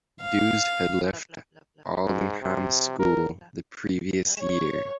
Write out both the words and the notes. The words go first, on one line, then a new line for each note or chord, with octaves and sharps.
Dewes had left Aldenham School the previous year.
F5
G#2
C3
A#4
C#5